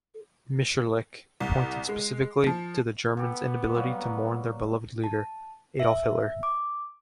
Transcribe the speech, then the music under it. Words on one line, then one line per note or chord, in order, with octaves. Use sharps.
Mitscherlich pointed specifically to the Germans' inability to mourn their beloved leader, Adolf Hitler.
C2
G#3
F3
B3 G4 A4
F#3 G3 A#3
A5
E5
D6